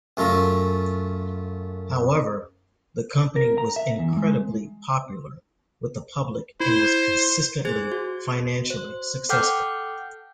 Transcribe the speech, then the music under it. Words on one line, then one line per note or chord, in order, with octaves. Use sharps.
However, the company was incredibly popular with the public and was consistently financially successful.
F#2 A3 F4 E5 A#5
A#4
A#5
E5
E2
G#3
E4 C5
G#4 C5 G#6
F#4
C5
A4 F#5 G5 D6 F6 G6